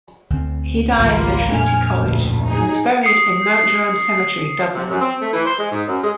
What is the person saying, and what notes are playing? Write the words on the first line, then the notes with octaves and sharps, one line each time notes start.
He died at Trinity college and was buried in Mount Jerome cemetery, Dublin.
D2 C4
G#1 C#2 F3 G3 A#3 F4
F2 A#2 D4 G#5 F6
A1 D2 A2
D#4 G#4
D#6 C7 C#7
C3
F#2
C4
A3
E3
C5
G#3
G#2
F#2
G#3